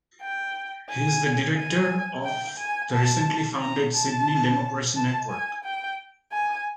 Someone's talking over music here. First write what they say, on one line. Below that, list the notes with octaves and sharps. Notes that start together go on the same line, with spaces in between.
He is the Director of the recently founded Sydney Democracy Network.
G5
G#5
G#5
G5
G#5
A5
A#5
A5
A5
G#5
G5
G#5